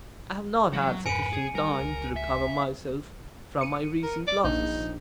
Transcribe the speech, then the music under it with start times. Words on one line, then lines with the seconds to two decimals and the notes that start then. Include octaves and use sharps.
I have not had sufficient time to recover myself from my recent losses.
0.73 E3 F#3 G#3 C#4 F#4
1.06 F2 G#2 A#4 B4 G#5 C#7 D#7
1.33 G#4
1.55 G3 A#4
1.79 C#2
2.16 E5
3.61 C#7 D#7
4.03 A#4
4.27 D5
4.44 A#1 D#4